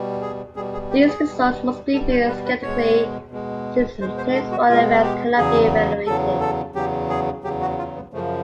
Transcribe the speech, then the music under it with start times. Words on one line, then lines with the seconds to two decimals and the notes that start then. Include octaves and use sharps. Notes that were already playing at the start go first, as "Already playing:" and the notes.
These results must be viewed skeptically since placebo effects cannot be evaluated.
Already playing: B2 G3
0.22 G#4
0.56 B2 G3 G#4
0.73 G#4
0.90 G4
1.08 G#4
1.25 B2 G3
1.93 B2 G3 A4
2.11 C5
2.28 B4
2.45 B4
2.62 B2 G#3 C#5
3.31 B2 G#3
4.01 B2 G#3 C5
4.17 C5
4.35 A4
4.52 F#4
4.68 B2 G#3 F4
5.03 G4
5.38 E2 C#3 F#3 G#4
6.07 E2 C#3 F#3 A4
6.41 A4
6.75 E2 C#3 F#3 G4
7.10 G#4
7.44 E2 C#3 F#3 G4
7.61 F#4
7.78 F4
7.96 B3
8.13 F#2 C#3 F3 A3